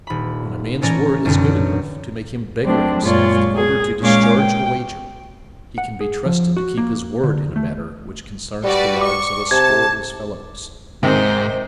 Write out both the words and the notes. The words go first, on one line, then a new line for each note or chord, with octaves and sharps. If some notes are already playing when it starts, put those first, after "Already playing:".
When a man's word is good enough to make him beggar himself in order to discharge a wager, he can be trusted to keep his word in a matter which concerns the lives of a score of his fellows.
D#1 B5
A2 E3 C#4 D5 A#5 A#6
B1 F#2 B2 D3
F#3 A3 C4 D4
F#2 A#2 G#3 F4 C#5 D5
G#4
A#2 G#3 C#4 C#5 F5 D6
G5
F#5
G#4
F3
F#4
A#3
D3
A3
G3 F#4 B4 D5
C#6 D6
C3 A5 G#6
G#2 C3 D#3 C5